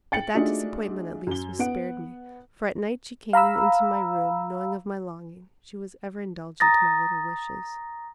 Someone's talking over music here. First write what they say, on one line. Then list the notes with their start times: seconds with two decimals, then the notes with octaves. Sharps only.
But that disappointment, at least, was spared me, for at night she came into my room, knowing of my longing--she was ever indulgent to my little wishes.
0.12 G5 A6 C#7 F#7
0.34 A3 D4 D#4 F4 F#4 G#4
1.27 F#2 G7
1.59 B3 F#5 D7
3.33 F5 A#5 B5 E6
6.60 A#5 D#6 A6 A#6